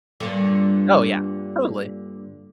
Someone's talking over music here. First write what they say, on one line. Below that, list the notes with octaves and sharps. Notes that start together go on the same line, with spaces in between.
Oh, yeah. Totally.
G2 A#2 D3